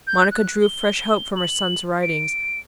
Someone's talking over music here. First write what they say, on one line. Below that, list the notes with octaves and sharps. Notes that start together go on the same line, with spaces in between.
Monica drew fresh hope from her son's writings.
G6
F#6
G7
F#7
D7